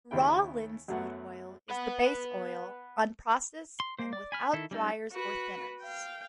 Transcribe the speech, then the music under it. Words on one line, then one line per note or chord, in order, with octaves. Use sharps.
Raw linseed oil is the base oil, unprocessed and without driers or thinners.
D#2 C#3 E4 G5
F#2 F#3 A3 B3 F#5
B4 F#5
C6
A#3 C5
D5
G#5 B5 F6
D#3 E4 A4
G3 C#4 D#4 A4
F#4 B4
F5 G5